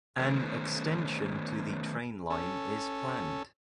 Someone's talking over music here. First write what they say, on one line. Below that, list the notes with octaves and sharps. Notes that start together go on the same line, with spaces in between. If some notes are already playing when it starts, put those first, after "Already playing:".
An extension to the train line is planned.
D#3 A3 B3 C#4 A4 C5
C#4 A4